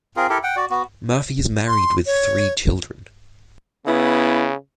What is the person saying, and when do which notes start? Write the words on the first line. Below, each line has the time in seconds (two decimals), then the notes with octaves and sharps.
Murphy is married with three children.
0.17 C4 F4 G#4 A#4
0.30 E4 G4 A4 A#4
0.43 F#5 G5
0.56 F#4 D5
0.70 B3 F#4
1.68 C6
2.06 C#5
3.86 C#3 B3 E4